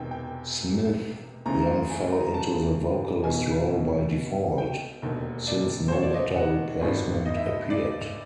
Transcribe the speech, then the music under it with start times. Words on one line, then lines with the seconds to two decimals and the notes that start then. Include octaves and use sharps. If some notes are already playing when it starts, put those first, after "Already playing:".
Smith then fell into the vocalist role by default, since no better replacement appeared.
Already playing: E1 E2 C3 D#3 G5
0.11 G5
1.46 D2 C#3 E3 A#5
1.90 G#5
2.12 A#5
2.34 A5
3.24 B1 B2 G#5
4.58 G5
5.02 E1 D#2 D3
5.47 D5
5.88 C5
5.92 C#5
6.03 D5
6.14 D#5
6.36 F#5
6.81 G#1 G2 D#3
7.25 D#5
7.36 E5
7.46 D#5
7.70 D5